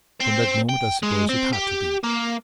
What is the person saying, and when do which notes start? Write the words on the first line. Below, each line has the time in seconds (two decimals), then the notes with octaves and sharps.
From that moment, I suppose, it had to be.
0.20 C4
0.69 G5
1.03 G#3
1.29 C4
1.53 G4
2.03 A#3